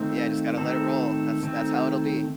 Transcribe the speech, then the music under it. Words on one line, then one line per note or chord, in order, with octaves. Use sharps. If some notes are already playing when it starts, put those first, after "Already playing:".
Yeah, just gotta let it roll. That's that's how it'll be.
Already playing: D#3 A3 C4 F4
D#3 A3 C4 A4
D#3 A3 C4